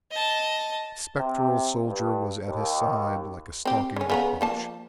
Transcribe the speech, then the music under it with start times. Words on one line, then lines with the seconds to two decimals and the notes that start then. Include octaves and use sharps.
The spectral soldier was at his side like a stalking reproach.
0.11 D#5 A5
1.16 C3
1.86 G2
2.46 D#2
3.65 C4 G4
3.96 C#3 C#4
4.10 C#3 B3 A#5
4.41 F3 A#3 A5